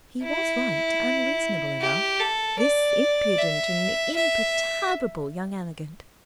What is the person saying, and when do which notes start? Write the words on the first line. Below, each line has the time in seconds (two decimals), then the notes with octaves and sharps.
He was right and reasonable enough, this impudent and imperturbable young elegant.
0.23 E4
1.81 G4
2.20 A4
2.59 D5
3.38 E5
4.16 E5